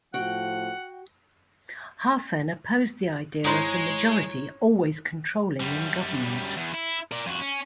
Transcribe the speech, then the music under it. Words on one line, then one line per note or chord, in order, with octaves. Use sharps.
Hafen opposed the idea of the majority always controlling in government.
A2 F3 F#4 F#5 G5
G#2 G#3 E4 C5 C#5 A#5 C6 D#7
F#2 G3
E2
E4
A#4 D5
F2 F#4
C#4